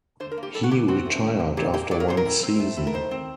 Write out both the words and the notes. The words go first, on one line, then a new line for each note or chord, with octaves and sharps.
He retired after one season.
D3 C5
A#4
A#3
G4
G3 A4
F#4
D3 G4
C4 F#4
A3
D#3
C3
A#2 G4
A#3 G4
F#3 D5
A#4
A#2 C5
A#4
A2
C4
A3
A2
A#4
D#3 C5
C4